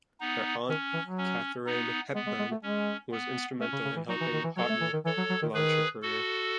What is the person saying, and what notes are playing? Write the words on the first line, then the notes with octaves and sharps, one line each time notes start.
Her aunt, Katharine Hepburn, was instrumental in helping Houghton launch her career.
B3 D#4
D#3 C#4
E3
F#3
C#4
B3 D#4
G#3 B3
G#3
G#3
A3
G#3 C#4
B3
A3 C#4
C#3
C#3
E3
F#3 D#4 F#4
E3
D#3
E3
F#3 A4 C#5
A3
E3
D#3
E3 A4 C#5
F#3
F#3
D#3
D#3 G#4 B4
F#4 A4